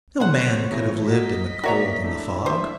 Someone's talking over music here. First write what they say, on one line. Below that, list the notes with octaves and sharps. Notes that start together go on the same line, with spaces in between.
No man could have lived in the cold and the fog.
B2 F#3 C4 G#4 C5 C#5 F#5
A1 A#2 E3 A#6
A#3 F#4 A4 D#5 B6
A#3 F#4 A#4 C#5 D5 E5 A#5
A3 D4 E4
C5 E5